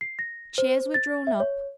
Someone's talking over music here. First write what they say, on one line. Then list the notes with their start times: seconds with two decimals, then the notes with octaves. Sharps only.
Chairs were drawn up.
0.01 C7
0.19 A#6
0.58 C5
0.94 A6
1.27 E5
1.40 C#5